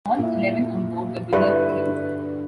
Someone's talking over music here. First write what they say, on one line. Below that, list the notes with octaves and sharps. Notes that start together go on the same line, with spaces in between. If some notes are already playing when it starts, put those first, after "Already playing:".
All eleven on board were believed killed.
A#2 E4
G2 D3 E4 F#4 B4